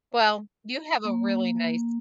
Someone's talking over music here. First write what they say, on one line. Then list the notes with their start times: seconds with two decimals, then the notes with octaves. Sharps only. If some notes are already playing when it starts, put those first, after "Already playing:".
Well, you have a really nice
1.05 A#3